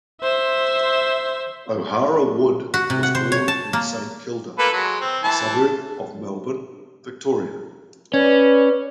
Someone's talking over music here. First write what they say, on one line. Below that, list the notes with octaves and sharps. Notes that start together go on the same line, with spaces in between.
O'Hara Wood was born in Saint Kilda, a suburb of Melbourne, Victoria.
C5 E5
F#4
C3
F#5
C5
C#5
A5
A#3
A#3 A4 B4
F#3 G#3
C4
E3 A5
C#4 B4 D5